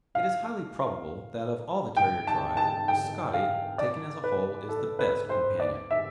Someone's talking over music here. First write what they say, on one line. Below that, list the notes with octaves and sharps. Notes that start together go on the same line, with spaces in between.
It is highly probable that of all the terrier tribe, the "Scottie," taken as a whole, is the best companion.
F5
G5
A5
A5
G5
F5
D5
B4
A4
B4
C5
D5
E5